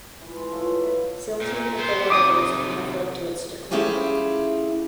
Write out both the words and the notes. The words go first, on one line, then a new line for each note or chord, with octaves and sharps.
Silting of the waterways may have led to its decline.
E3 B4
G#3
A3 F4 C#5
D5
F#3 B4
A#2
B3 C5
C3 D#3 D6 D#6
A3 C#4 E4 F4 G4 G#4